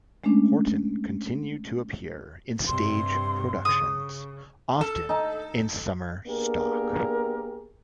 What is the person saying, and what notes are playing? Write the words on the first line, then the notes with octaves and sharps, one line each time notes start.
Horton continued to appear in stage productions, often in summer stock.
G#3 A3 C#4 D4
G2 C3 C6
C#3 D#6
A4
D#4 A5
A#3 B3 D4 G4 G#4 A#4